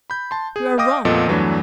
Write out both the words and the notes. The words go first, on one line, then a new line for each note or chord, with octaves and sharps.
You are wrong!
B5 G6
A5 C6
G#4
D#5 F5 G5 D6 D#6 A#6
F2 A#2 B3 A4 D#5
E2 G2 E3 F#3 A3 D4